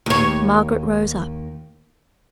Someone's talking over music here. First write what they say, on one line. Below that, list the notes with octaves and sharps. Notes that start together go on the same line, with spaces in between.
Margaret rose up.
D#2 C#5